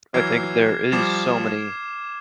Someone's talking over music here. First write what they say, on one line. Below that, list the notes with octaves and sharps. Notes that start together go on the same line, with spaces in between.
I think there is so many
E3 F#3 D6 F6 G#6 C7 E7
F3 G3 D6 F6 G#6 C7 E7